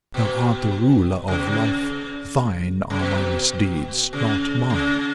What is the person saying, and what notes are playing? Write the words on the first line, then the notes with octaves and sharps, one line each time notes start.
If thou art the Ruler of Life, thine are my misdeeds, not mine.'
B2
C#3
B2
C#3
C#3
B2
C#3
C#3